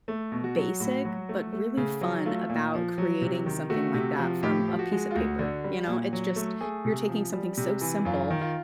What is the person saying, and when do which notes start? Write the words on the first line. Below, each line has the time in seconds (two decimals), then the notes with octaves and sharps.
basic but really fun about creating something like that from a piece of paper, you know. It's just, you're taking something so simple
0.08 A3
0.32 B2
0.44 F#4
0.56 F#3
0.80 A2 F#4
1.05 F#3
1.29 A3
1.53 A3
1.77 C#3
2.01 F#3
2.25 A3 F4
2.49 A#2
2.74 F3
2.98 F#3
3.22 C3
3.46 D#3
3.70 A3 F#4
3.94 C3
4.18 F3
4.43 A2 G4
4.68 F3
4.79 F#4
4.92 G#3
5.11 F4
5.15 D2 F#4
5.39 D3
5.64 G3
5.87 A#2
6.13 F#3
6.36 A3
6.61 A3 G#4
6.85 C3
7.09 F3
7.33 G3
7.57 C3
7.81 E3
8.05 F#2 F4
8.30 D#3
8.41 F4